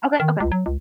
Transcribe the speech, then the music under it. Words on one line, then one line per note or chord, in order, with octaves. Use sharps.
Okay, okay.
D#3
C#2
F#3
C#2